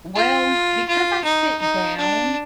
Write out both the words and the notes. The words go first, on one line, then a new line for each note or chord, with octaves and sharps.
Well, because I sit down
F4
F4
D#4
D#4
D4